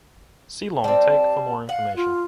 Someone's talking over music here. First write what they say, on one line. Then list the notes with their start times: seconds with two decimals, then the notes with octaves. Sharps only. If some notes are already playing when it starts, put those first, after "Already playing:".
See Long take for more information.
0.84 G3 C4 A5
1.69 F5 F#5
1.96 F4